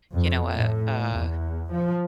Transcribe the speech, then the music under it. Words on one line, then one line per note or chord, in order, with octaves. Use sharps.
you know, a a
F2
A2
E2
F3